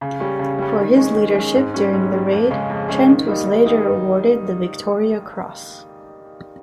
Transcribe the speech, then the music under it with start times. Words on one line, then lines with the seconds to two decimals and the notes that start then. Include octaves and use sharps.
For his leadership during the raid, Trent was later awarded the Victoria Cross.
0.01 C#3
0.20 G3 C#4
0.39 C#3
0.59 G3 C#4
0.78 D#3
0.96 G#3 C#4
1.17 D#3
1.35 G#3 C#4
1.55 G#2
1.74 G3 C#4
1.93 G#2
2.12 G3 C#4
2.31 F2
2.51 C#3 G#3 C#4
2.70 F2
2.88 C#3 G#3 C#4
3.08 D#3
3.27 G3 A#3 D#4
3.46 D#3
3.66 G3 A#3 D#4